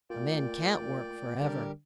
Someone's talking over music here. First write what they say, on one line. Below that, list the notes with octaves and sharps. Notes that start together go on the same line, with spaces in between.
A man can't work for ever.'
A#2 A3 F4 D5 G5
D3 G3 D4 G4 A#4